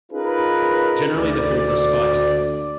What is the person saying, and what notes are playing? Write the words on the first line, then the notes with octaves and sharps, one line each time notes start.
Generally the foods are spicy.
C#4 D#4 F4 G#4 A#4 B4
D2 D5